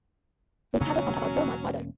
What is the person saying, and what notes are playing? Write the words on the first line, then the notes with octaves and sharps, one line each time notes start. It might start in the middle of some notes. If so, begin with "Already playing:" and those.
We paddled on about four miles farther.
E1 C#3 F#3 A#3 C#4